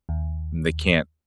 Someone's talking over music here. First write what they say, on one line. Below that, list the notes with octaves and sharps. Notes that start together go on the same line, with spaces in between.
They can't
D#2